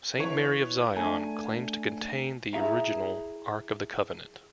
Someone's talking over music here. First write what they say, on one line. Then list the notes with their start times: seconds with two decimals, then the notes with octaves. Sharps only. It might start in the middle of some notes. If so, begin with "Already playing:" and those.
Saint Mary of Zion claims to contain the original Ark of the Covenant.
0.17 E3 C#5
0.97 A3 D4 G#5
2.53 E4 G#4 E5 A#5